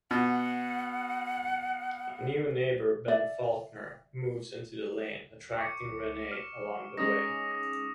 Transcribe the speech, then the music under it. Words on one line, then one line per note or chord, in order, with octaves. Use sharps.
A new neighbor, Ben Faulkner, moves into the lane, attracting Renee along the way.
B2 F#5
D5 E5
C#6 D6 C#7
F6 E7
G#3 C#4 D#4 C#6 D#6 A#6
A#6